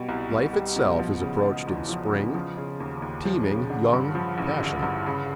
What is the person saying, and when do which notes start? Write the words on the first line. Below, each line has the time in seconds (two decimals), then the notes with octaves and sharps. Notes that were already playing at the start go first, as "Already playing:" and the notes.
Life itself is approached in spring, teeming, young, passionate.
Already playing: B2 G3
0.09 C2
0.31 C2
0.53 G3
0.76 B2
0.99 F3
1.22 C#3
1.44 G#3
1.67 E2
1.89 F3
2.12 C#3
2.35 F3
2.57 C#3
2.80 D#2
3.02 D#2
3.25 F3
3.47 C#3
3.70 D3
3.93 G2
4.15 F3
4.38 A1
4.61 D3
4.83 G2
5.06 C#3